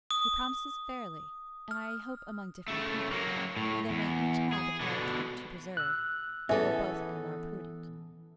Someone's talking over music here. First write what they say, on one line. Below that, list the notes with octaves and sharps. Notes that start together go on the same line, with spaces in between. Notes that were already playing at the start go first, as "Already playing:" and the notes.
He promises fairly; and I hope among different people, where they may each have a character to preserve, they will both be more prudent.
D#6
F6
C#3 A3
F#3 A#3
A2
E2
G#4
B2 D3
E6 F#6
E3 B3 C#4 G#4 A4 E5